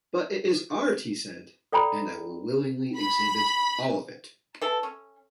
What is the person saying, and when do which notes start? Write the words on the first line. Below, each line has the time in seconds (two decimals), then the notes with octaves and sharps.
'But it is art' he said 'and I will willingly exhibit all of it.
1.72 A4 D5 G5 A#5 B5
2.96 B5
4.62 E3 A4
4.83 C#4